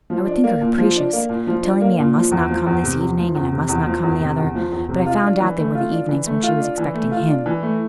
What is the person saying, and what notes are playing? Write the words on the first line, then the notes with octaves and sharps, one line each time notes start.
I would think her capricious--telling me I must not come this evening, and I must not come the other; but I found out they were the evenings when she was expecting him.
F3
D4
A#3
A#2
F3
D4
A#3
A#2
F3
D4
A#3
A#2
F3
E2
F3
E2
C3
E2
F3
E2
C3
E2
F3
E2
C3
E2
F3
E2
C3
F4
D4
E3
A3
F4
D4
E3
A3
F4
D4
E3
A3
F4
D4
E3
A3